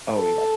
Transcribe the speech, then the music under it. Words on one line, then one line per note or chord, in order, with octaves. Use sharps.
Oh, yeah.
A4